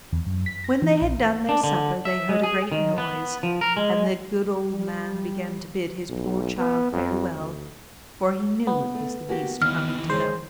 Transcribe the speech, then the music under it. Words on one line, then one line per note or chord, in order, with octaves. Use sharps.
When they had done their supper, they heard a great noise, and the good old man began to bid his poor child farewell, for he knew it was the beast coming to them.
E2
F#2
B6
A#6
E3
A#1
D4
D3
E5
G#3
G#4
D#3
B3
F3
A#4
G#3
G3
B1
B3
F2
D2
B3
A3
A#3 F#4 G4
D#2 D#3 E3 F6
F#2 G#3 C5